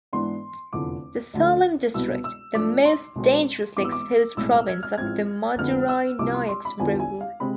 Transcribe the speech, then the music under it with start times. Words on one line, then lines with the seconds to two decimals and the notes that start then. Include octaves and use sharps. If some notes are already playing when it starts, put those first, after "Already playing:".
The Salem district, the most dangerously exposed province of the Madurai Nayaks rule.
0.13 G#2 E3 B3 D4 C6
0.73 F1 E2 D3 F3 D6
1.34 D2 D3 F3 A3
1.94 C2 B2 B3 E6
2.24 E6
2.55 G#2 F3 A3 D4 D6
2.85 C6
3.16 B1 B2 G#3 C4
3.77 G#1 G#2 E3 B3 D6
3.84 E6
3.92 D6
4.37 B1 A2 G#3 C4 E6
4.53 F6
4.68 G#6
4.83 F6
4.98 A1 A2 F3 G#3 C4 G#6
5.58 F2 D3 G#3 B3 F6
5.89 E6
6.19 C2 C3 F3 D6
6.34 C6
6.49 C6
6.65 B5
6.80 E2 D3 F3 B3 D4 G#5
7.00 G#5
7.21 F5
7.40 C3 G#3 C4 B5